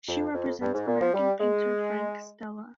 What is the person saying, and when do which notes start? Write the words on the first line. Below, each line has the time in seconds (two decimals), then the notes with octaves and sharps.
She represents American painter Frank Stella.
0.08 F2
0.35 F2
0.61 G2
0.74 G#2
0.88 A#2
1.01 F3
1.14 G3
1.40 G#3